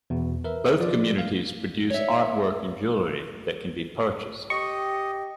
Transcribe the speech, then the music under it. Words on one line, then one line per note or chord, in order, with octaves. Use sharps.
Both communities produce artwork and jewellery that can be purchased.
E2 B2
A#4 B4 E5
F3 F4 D5
F5
C#5 E5
G4 D#5 C#6